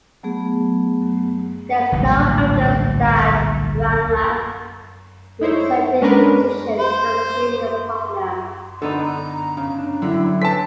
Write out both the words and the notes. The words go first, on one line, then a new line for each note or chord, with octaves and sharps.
There is no evidence that Cranmer resented his position as junior partner.
F#3 A3 B3 G#4
D1 A#1 A2 G3
D#4 E4 C5 C#5
G#3 C#4 D4 A#4 B4
C5
D3 B3 D#4 A4 D5
F#5 A#5
C#3
D4
D3 F#3 G3 E4
C4 A4 B4 C#5 G#5 A5 B6